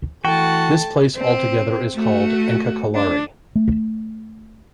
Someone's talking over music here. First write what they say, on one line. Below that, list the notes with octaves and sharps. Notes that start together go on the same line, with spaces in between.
This place altogether is called AnkaKalari.
E3 A3 F#4 G5 A5
C4
A3 F#4
D4
A3